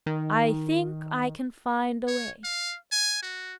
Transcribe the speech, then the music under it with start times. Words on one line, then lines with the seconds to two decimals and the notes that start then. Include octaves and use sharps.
"I think I can find a way."
0.06 D#3
2.07 C#5
2.44 F5
2.92 G#5
3.22 F#4